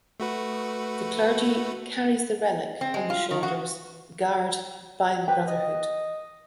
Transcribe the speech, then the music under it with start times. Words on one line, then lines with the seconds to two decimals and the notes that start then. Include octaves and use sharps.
The clergy carries the relic on the shoulders, guarde by the brotherhood.
0.20 A3 F#4 B4
2.81 C4
2.94 G#3
3.10 F4
3.31 D#3
3.43 F#4
5.28 B4 G5
5.47 D#5